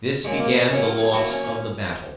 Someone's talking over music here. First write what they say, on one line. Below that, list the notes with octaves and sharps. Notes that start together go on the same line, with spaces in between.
This began the loss of the battle.
A#2 F#3 G#3
A#3
B3
A#2 F#3 C#4
F4
G#4
A#2 F#3 F#4
C#4
C#4